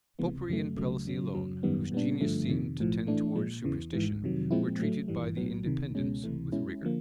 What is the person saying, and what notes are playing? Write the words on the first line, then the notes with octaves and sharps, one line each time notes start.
Popery and prelacy alone, whose genius seemed to tend towards superstition, were treated by the Independents with rigor.
C#2 C3 E3 G#3 B3
F#2 C#3 F#3 A3
C#2 C#3 F#3 A3
F#2 C#3 F#3
F#2 C#3 F#3
G#1 F#2 D#3 G3 B3
A#2 G3 B3 D4
G#1 G2 D3 F3 A3
F2 C3 D#3
B1 A2 F3
A2 E3 A3 D4
A#2 F3 G#3
E2 C#3 E3
G#1 G#2 E3
F2 C3 D#3 F#3
A#2 F3 G#3 C4 E4
A2 F#3 A3
G#1 G2 E3 G3
B1 A2 F#3 B3
C2 C3 D#3
C#2 B2 G#3 C#4
C#2 C3 E3 A3
B2 G#3 C#4 E4
D3 F3 A#3